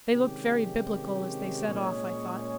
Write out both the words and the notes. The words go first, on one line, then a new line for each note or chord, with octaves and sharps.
They looked very Biblical as they set off, I thought.
C3 D#3 G#3 C#4 G4
A#2 G#3 C#4 G#4 C#5